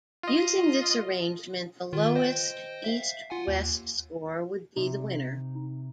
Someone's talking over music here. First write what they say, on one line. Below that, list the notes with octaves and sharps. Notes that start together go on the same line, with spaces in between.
Using this arrangement, the lowest East-West Score would be the winner.
F4 D#5
D#3 F4
C5 D#5 G5
E5 F5
F4 F#5 G#5
D#2
C3 D#4